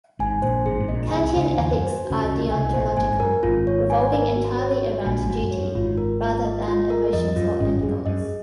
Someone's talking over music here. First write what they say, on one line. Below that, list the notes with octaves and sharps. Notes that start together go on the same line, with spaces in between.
Kantian ethics are deontological, revolving entirely around duty rather than emotions or end goals.
G#1 G#2 G#5
A#1 A#2 C5
G#1 G#2 G#4
G#2
A#1 A#2 D#5
A#2
C2 C3 G#5
C#2 C#3 C5
D#2 D#3 G#5
F#2
C5
F#4
C#2 C#3
C#2 C#3 D#5
C2 C3 G#5
A#1 A#2 C5
G#1 G#2 G#5
F#2 A#4
G#1 G#2 F4
C#5
G#5
A#4
F#4
C#5
F#4
A#1 A#2 G#5
G#1 G#2
F#4
F#2
C#5
F#2
G#1 G#2 F4
A#4
F4
D#5
F4
A#4
F2 D#5
F#2 F4
G#1 G#2 C#4
F#2 G#4
F#2 D#5